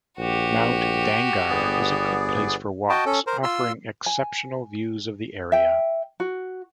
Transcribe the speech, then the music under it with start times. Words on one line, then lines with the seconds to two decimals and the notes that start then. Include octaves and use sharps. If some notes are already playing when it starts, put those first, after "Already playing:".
Mount Dangar is a good place for walks, offering exceptional views of the area.
0.19 A#1 F#4 G4
1.50 G1 B3 G#4 D5
2.89 F#4 D#5 G5 A5
3.06 C#4 A4
3.27 A#4 C5
3.43 F4 C6 E6
4.06 G#5
5.52 E5 G5
6.20 F#4